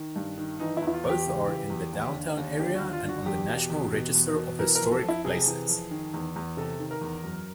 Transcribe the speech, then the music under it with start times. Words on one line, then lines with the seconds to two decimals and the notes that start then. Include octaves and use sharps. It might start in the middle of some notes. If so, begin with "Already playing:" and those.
Both are in the downtown area and on the National Register of Historic Places.
Already playing: D#3
0.16 G2
0.38 D#3
0.60 E3 D#4
0.77 E4
0.82 E2
0.87 E4
0.93 F4
1.04 E2
1.09 G4
1.27 C#3
1.48 E3
1.70 E2
1.93 D#2
2.15 D3
2.37 D#2
2.59 D3 G4
2.75 F#4
2.81 D#2
2.93 F4
3.04 D3
3.09 F#4
3.25 E2 G4
3.48 B2
3.70 E2
3.92 B2
4.15 E2
4.36 B2
4.59 E3 A#4
4.75 A#4
4.81 F2
4.91 A4
5.02 F2
5.08 E4
5.25 C3 G#4
5.47 E3
5.68 F2
5.91 D#3
6.14 E2
6.36 E2
6.57 C3 A4
6.80 D#3
6.91 A#4
7.01 E2
7.24 F#2